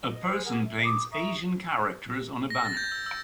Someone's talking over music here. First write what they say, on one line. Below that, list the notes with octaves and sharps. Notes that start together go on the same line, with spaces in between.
A person paints Asian characters on a banner.
D#5
C5 G#5
G#4 A#4 F#5
E5
B5 D6 D#6
E5 A#5 C#6 D#6
A#6
A6
G6
E6
E6